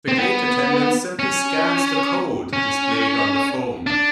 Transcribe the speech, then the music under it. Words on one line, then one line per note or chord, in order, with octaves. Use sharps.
The gate attendant simply scans the code displayed on the phone.
C4
B3
C#4
C#4
D4